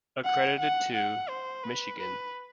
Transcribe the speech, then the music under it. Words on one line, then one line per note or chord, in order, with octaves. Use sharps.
Accredited to: Michigan.
F#5
F#5
F#5
C5
B4
B4